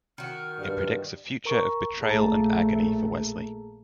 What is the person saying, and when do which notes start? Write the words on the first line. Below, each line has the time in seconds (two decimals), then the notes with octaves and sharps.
It predicts a future of betrayal and agony for Wesley.
0.18 D#3 F#4 F6
0.59 G2 D5
1.45 A#4 A#5 C#6
2.01 A#1 A#2 A3 G#4 A5 A#5